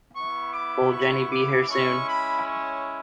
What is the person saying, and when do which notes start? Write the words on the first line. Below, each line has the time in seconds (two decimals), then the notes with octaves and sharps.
Will Jenny be here soon?
0.14 B3 E4 C#6
0.52 D6
0.91 C#6
1.30 D6
1.68 G#3 C#4 E4 C#6
2.07 B5
2.45 C#5